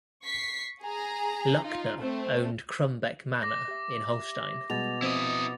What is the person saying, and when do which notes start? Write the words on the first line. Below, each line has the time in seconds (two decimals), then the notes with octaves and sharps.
Luckner owned Krummbek Manor in Holstein.
0.24 C#6 B6 C7
0.81 G#4 A#5
1.63 D#4 F4
2.00 A3 C4
3.43 D6 A#6
3.68 G4 E5
4.70 B2 G3 G#3 G#4 A6 F7
5.02 F3 C4 E4 C5 D#5